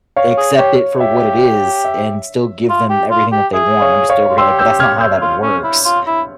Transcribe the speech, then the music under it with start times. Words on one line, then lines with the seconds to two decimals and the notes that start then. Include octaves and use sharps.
accept it for what it is, and still give them everything that they want. I'm, just, over here, like, but that's not how that works,
0.16 C#5 F5
0.38 G#4
0.58 G4 C#5
1.00 G4 E5
1.85 E5
2.70 F4
2.90 G4
3.11 F4
3.32 G4
3.54 G#4 E5
3.81 C#5 F5
4.09 C#5 F5
4.29 F4
4.38 G4 C6 E6
4.59 E6 G6
4.80 F6 G#6
5.01 E6 G6
5.21 F4
5.43 C#4
5.64 E4
5.85 F4
6.07 E4